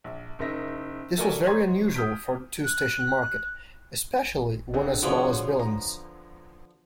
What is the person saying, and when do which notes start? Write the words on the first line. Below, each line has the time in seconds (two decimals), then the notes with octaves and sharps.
This was very unusual for a two-station market, especially one as small as Billings.
0.04 A#1
0.39 F#1 D#4 A#4 E5 A#6 B6
1.17 A3 F#4 A4 A#4 D5 G#5
1.46 C5 C#5 D#5 A#5 C6 G#6
1.94 D#6 F6 G6 B6 D7
2.63 F#6
4.74 D3 C4 G#4
5.03 D3 F3 B3 F#4 G#4 C#5
5.59 A#5